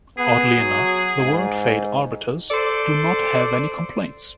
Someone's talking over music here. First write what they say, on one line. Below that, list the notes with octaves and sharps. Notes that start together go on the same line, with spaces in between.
Oddly enough, the world fate arbiters do not have any complaints.
B3 G#4
F#3
G#2
A4 C5 D5